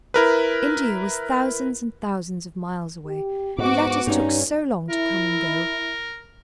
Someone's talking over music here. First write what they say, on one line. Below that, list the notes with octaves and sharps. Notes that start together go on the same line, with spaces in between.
India was thousands and thousands of miles away, and letters took so long to come and go.
E4 A#4 B4
G4
G#2 B3 F#4 D6
G2 C#4 D#4
E4 A#4